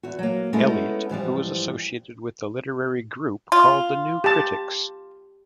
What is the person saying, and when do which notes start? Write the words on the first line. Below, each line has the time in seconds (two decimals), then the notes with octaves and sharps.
Eliot, who is associated with the literary group called the New Critics.
0.03 E2 F#4
0.19 F#3 A#3
0.53 G#3 A3 B3 C#4 D#4 E4
1.09 G#2 E3 F3 G3
3.52 F4
4.24 G4 A5